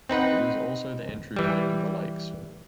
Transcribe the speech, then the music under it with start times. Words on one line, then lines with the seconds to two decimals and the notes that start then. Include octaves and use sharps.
It was also the entry point to the lakes.
0.09 C4 D#4 B4 F#5
1.36 E3 G3